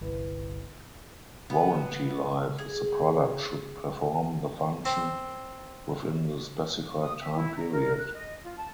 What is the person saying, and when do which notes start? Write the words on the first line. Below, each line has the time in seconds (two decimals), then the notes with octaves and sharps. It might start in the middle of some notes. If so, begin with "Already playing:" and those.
Warranty life is the product should perform the function within the specified time period.
0.01 G1 C2 E4 B4
1.50 B3
2.58 G#4
4.85 C4
7.01 D#6
7.19 E5
7.35 E4
7.57 A#5
7.72 A#4
7.97 F#6
8.14 D#5
8.43 F4
8.58 A5